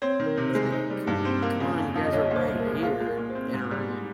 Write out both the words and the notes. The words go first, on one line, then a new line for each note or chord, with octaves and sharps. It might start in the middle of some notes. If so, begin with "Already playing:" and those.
It's, like, come come on, you guys are right here in in a room.
C4 C#5
D#3
A#4
C3
C5
G#3
D#4 C5
G3
G2
C4
A#3
C#3
F2
F3
D#5
C2 C#5
A#2
C5
C2
A#4
G#3
F4 G#4
G#3
A#4
A#2
C5
C4
G#2
G3